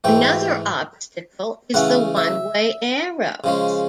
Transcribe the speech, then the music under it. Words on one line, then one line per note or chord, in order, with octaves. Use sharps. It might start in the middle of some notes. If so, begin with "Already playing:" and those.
Another obstacle is the one-way arrows.
G#2 E3 A3 G5
C#3 E3 A3 C#4 F#5
E5
C#3 F3 G#3 C#4